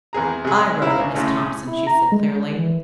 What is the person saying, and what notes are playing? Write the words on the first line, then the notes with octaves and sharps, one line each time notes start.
"I wrote it, Miss Thompson," she said clearly.
E2 C4 G#4 A#5
C3 G#4
E4 F5 A#5
C#2
A2 C#3 G#3 A3 C#4
E4
A#5
G#3
E3